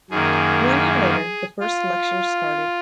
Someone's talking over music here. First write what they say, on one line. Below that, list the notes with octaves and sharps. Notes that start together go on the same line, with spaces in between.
One year later the first lectures started.
F#2 D#3 A#3 G#4
F4